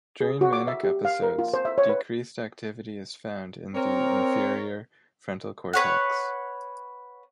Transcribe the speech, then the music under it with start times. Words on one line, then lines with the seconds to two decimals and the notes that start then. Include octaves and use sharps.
During manic episodes decreased activity is found in the inferior frontal cortex.
0.21 G#4
0.41 F#4
0.53 D6
0.68 E5
0.84 G4
1.05 F5
1.22 A#4
1.39 F4
1.54 C5
1.65 E5
1.78 C#5
1.89 B4
3.75 C4 A#4 C#5
5.73 B4 C#5 F#5